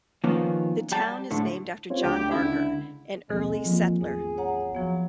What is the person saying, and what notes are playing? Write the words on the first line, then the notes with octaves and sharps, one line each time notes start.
The town is named after John Barker, an early settler.
D#3 F3 A#3 B3 C#4
G3 G5 A5
A2 D3
C4 F4 C#5
D2 G4
G4
C#2 D3 E4
A#1 D#2 B2 G#3 C4 A4
E3 F3 A#3 F4
G#1 E2 G#4
C#5 F#5 A#5
F3 F#3 B3